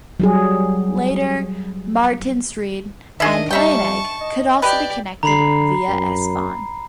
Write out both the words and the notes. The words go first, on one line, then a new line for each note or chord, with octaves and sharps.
Later, Martinsried and Planegg could also be connected via S-Bahn.
F#3 G3 G#4
D#3 D4 G#4 D#5 E5
G3 D#4 E5 G5 A5 C#6
D#5
G4 B4 D5
D3 A#5 B5 C7
F#2